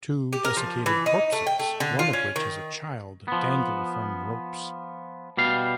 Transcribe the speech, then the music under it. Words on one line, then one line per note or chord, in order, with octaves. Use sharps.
Two desiccated corpses, one of which is a child, dangle from ropes.
G4
A#4
F3
E3
D#4
A3
G5
A3
D3
F4
C#4
D#3
F3 B3
B2 G3 F5